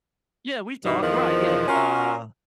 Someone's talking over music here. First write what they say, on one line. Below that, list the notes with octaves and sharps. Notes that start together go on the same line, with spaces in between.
Yeah. We talked right. Yeah, uh
G2 B2 D#3
E2 D#3 F3
C#4 F4 F#4 A#4